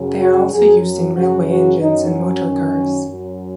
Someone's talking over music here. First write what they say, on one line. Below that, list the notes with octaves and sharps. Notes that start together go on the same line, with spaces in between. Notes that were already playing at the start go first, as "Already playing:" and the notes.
They are also used in railway engines and motor cars.
Already playing: F#2 C#3 F#3
F#4
F#2 F#3 G#4
F#2 C#3 F#3 F#4
F#4
F#2 F#3 D#4
C#4
F#2 D#3 F#3
F#2 F#3